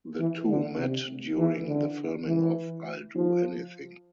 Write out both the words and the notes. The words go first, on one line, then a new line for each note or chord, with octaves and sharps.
The two met during the filming of "I'll Do Anything".
E3
D3
C3
E3
D3
E3
F3